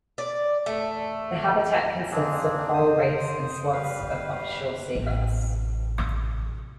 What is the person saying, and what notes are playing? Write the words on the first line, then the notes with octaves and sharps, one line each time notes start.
The habitat consists of coral reefs and swaths of offshore seagrass.
D5
A3
A#3 C4 D4 G#4
C5 D#6
G3 B4 F5
A1 C3